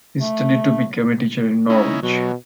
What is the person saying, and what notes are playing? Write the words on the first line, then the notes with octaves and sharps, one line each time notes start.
He studied to become a teacher in Norwich.
A3
C#4 D#4 E4
B2 F#3